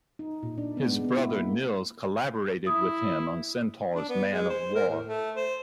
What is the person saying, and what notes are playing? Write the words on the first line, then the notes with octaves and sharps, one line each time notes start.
His brother Nils collaborated with him on Centaur's Man of War.
D#4
A#2
D4
B3
G#3
B3
E4
A#3
E4 D#6
D4
B3
G#3
C5
A#4
A2
A3
C5